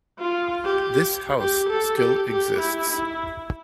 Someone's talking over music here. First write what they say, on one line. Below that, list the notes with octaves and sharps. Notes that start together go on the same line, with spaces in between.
This house still exists.
F4
G4
G4
A4
G4
G4
E4
E4